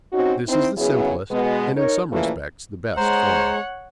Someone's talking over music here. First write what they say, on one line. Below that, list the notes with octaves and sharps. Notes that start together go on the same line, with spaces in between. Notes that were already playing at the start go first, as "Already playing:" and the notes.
This is the simplest, and in some respects the best, form.
C4 C#4 D#4 F#4
C4 D#4 E4
C#3 F#3 B3 E4 G#4
B2 G#3 B3
D#4 A#4 C#5
A#2 C#3 E3 F3 A3 A#3
G#3 C5 C#5 F#5 A#5